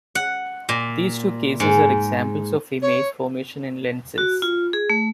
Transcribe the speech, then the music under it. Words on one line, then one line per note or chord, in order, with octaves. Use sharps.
These two cases are examples of image formation in lenses.
F#5
A#2
G#2
C#5
F#4
F4
G#4
A3